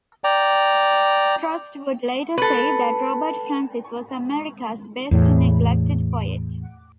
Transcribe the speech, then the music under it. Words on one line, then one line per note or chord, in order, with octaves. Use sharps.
Frost would later say that Robert Francis was America's best neglected poet.
D5 G5 A#5
A4 B4
E2 A2